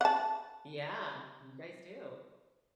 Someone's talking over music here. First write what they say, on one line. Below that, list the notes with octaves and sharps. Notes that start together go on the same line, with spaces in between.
Yeah, you guys do.
F#5 A5